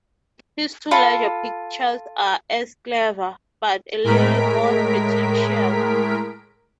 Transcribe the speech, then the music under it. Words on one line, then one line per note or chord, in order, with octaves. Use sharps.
His two larger pictures are as clever, but a little more pretentious.
F4 A4 B5
A2 G#3 A#4 B6 D7